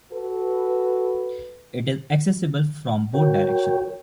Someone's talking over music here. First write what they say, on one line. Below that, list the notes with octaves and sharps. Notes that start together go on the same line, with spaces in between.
It is accessible from both directions.
F#4 A4 B4
F#4 A#4 C#5 G5